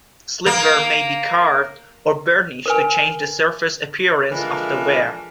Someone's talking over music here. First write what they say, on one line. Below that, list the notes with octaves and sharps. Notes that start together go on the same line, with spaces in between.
Slipware may be carved or burnished to change the surface appearance of the ware.
A#3
A#4 B4 G#5
E3 F3 G#3 D4 A4 A#4